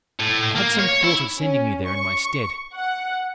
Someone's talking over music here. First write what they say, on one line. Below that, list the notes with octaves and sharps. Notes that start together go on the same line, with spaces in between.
I had some thought of sending you there in my stead.
A2
A#3
C#5
E4
C#4
C#6
F#5